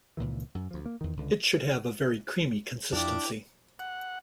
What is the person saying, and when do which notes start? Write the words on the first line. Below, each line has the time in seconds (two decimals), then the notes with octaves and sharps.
It should have a very creamy consistency.
0.17 C#2 A#2 D#3 E3
0.55 F#2
0.71 D2 F3
0.86 A#3
1.01 E2 D#3
1.17 C#2 D3
2.93 F2 F3 D4 E4 G4 A5 D6
3.79 F#5